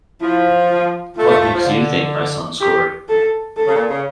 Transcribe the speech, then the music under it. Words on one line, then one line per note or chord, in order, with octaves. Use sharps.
What makes you think my son scored?
F3 E4
F4
A3 F4
A3
A3
F3
D3
G4
A4
A4
C#3
A#2
C#3